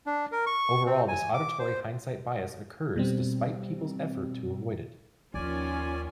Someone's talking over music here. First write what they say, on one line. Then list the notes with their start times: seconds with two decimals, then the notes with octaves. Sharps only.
Overall, this auditory hindsight bias occurs despite people's effort to avoid it.
0.07 D4
0.32 A#4
0.46 C#6
0.86 C4
1.08 G#5
1.34 D6
1.59 C5
2.96 B2 G3 C4
5.34 D#2 D#3 F3 C#4 F4 D5 G#5